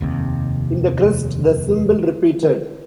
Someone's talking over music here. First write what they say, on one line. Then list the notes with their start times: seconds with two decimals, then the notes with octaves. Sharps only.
In the crest the symbol repeated.
0.01 F1 D#2 C3